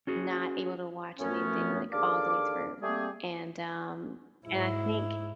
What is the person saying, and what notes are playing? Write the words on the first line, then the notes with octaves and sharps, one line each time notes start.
not able to watch anything, like, all the way through. And, um, and I think
C#4 F#4 G#4
F#2 A2 F3 A3 B3 C#4
D#2 D4 G#4 A4 F5 D6
G3 A3 A#3 C4 G4 G#4
G#2 E4